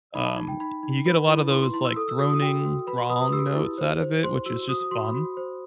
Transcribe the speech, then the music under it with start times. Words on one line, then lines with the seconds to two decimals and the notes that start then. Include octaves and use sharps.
Um, you get a lotta those, like, droning wrong notes out of it, which is just fun,
0.14 D#4 B5
0.26 A5
0.37 D#4
0.48 G5
0.60 D#4 B5
0.83 D#4
1.06 B4 B5
1.28 E4
1.51 E4 C6
1.62 C6
1.74 E4 C6
1.85 E6
1.96 A4 D#6
2.08 E6
2.19 F#4 D#6
2.30 D#6
2.42 F#4 G5
2.65 F#4
2.87 B4 B5
2.98 C6
3.10 B4 D#6
3.22 D#6
3.32 G4 E6
3.55 E4
3.78 C5
4.00 C5
4.23 C5 C6
4.46 F#4 E6
4.69 F#4 D#6
4.80 D#6
4.91 F#4 C6
5.03 B5
5.14 F#4
5.37 C5